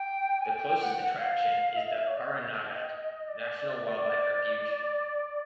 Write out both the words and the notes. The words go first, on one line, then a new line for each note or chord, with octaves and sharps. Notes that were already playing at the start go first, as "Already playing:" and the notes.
The closest attraction is the Pahranagat National Wildlife Refuge.
Already playing: G5
G#5
G5
F#5
F5
D#5
E5
C#5
D5
D#5
D5
D5